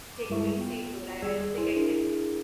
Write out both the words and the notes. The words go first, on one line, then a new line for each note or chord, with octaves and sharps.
take away seafood, I I don't think I could
D6
G2 G3 G#3 E4 E5 C#6
B3 F4 G5
D#2 G3 G#4 D5 E6 G#6
E4 G#4 C5 D5 G#5 C6
D4 E4 G#4 A#4